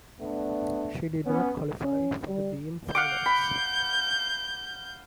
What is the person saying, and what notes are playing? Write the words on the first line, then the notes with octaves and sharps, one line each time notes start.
She did not qualify for the beam finals.
A3 B3 D4
B3 C#4
C#4
G3
F5 F#5 D6 G6
B5